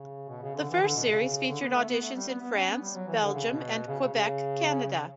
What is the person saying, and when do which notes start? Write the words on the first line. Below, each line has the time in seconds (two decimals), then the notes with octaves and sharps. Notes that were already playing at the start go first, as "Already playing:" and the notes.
The first series featured auditions in France, Belgium, and Quebec, Canada.
Already playing: C#3
0.29 B2
0.42 C#3
0.55 D3
0.69 E3
0.82 D3
0.96 B2
1.09 C#3
1.48 D3
1.61 B3
1.75 A3
1.89 B3
2.01 A3
2.15 G3
2.28 B3
2.41 B3
2.54 C#4
2.67 B3
2.81 G3
2.95 F#3
3.08 E3
3.20 D3
3.33 C#3
3.47 B2
3.87 C#3
4.00 C#3
4.14 C#3